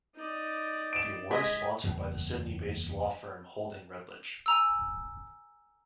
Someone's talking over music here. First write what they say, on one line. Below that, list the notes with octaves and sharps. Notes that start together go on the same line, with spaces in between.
The award is sponsored by the Sydney based law firm Holding Redlich.
D#4 D5
D7 E7
G#3 D#5 G#6 B6
F#1 E2 G3 A#3
G#5 A#5 E6